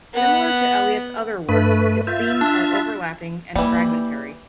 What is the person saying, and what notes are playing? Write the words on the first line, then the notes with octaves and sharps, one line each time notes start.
Similar to Eliot's other works, its themes are overlapping and fragmentary.
B3 F#5
G2 A3 B4
F4 E5 G6
D4
E3 G3 A#3